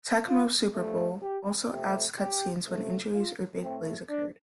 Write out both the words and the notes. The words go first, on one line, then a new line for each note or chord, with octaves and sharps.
"Tecmo Super Bowl" also adds cut scenes when injuries or big plays occurred.
F4
G2 F3 A3
G4
F2 C3 A3 G4
G4
C3 F3 A3
F4
A2 A3 C4
D4